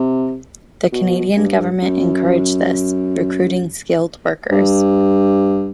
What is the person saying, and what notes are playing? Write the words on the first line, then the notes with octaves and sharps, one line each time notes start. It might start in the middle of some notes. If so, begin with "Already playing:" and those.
The Canadian government encouraged this, recruiting skilled workers.
Already playing: C3
B2
G2
F#2
G2